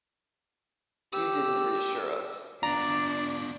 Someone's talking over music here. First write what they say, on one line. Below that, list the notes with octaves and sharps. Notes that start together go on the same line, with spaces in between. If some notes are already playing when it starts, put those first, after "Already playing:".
You didn’t reassure us.
G4 E6
B3 D4 F4 D5 A#5